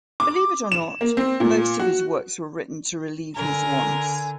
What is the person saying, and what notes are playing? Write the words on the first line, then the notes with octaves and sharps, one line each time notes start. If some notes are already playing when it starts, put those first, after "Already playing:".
Believe it or not most of his works were written to relieve his wants.
D6
E7
A#3
C4
A#2
F#4
D3 A#4 G#5